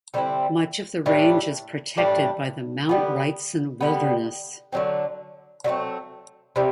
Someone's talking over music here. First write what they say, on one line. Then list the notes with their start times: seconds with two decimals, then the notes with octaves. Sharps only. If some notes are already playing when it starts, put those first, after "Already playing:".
Much of the range is protected by the Mount Wrightson Wilderness.
0.14 D3 G3 C4 E4
1.06 A2 E3 G3 D4
1.97 A2 E3 G3 D4
2.89 D3 G3 B3
3.81 D3 G3 B3
4.72 D3 F#3 A3 C4
5.64 D3 F#3 A3 C4
6.56 C3 E3 G3